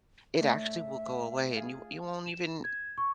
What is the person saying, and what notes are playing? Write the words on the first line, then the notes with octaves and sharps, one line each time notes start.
it actually will go away, and you w you won't even
A2 A3 D4 E5
F4 G#4
E7
G#6
C#6